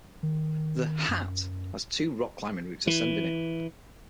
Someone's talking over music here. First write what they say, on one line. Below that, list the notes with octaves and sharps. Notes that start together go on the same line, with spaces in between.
The "Hat"' has two rock climbing routes ascending it.
D#3
F#2
E3